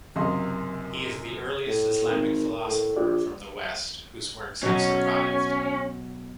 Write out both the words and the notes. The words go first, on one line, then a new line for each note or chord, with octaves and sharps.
He is the earliest Islamic philosopher from the West whose works have survived.
F#1 F#2 C3 D#5 F5 C6
A2
G#1 A#4
A2
A#1 F4 G4 D5
B2 F#3 C#4